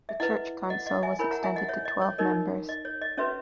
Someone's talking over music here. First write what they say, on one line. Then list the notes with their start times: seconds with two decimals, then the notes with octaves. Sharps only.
The church council was extended to twelve members.
0.09 E5
0.20 E4 B4 D#5 F#5
0.70 D#5 F#5
0.86 D#5 F#5
1.03 E5 G#5
1.19 E4 A#4 C#5 G#5 B5
1.31 F#5 A#5
1.44 E5 G#5
1.56 D#5 F#5
1.68 C#5 E5
1.85 D#5
2.02 C#5
2.18 D#4 A#4 C#5 D#5
2.69 D#5
2.85 C#5
3.02 D#5
3.17 C#4 F#4 B4 C#5 E5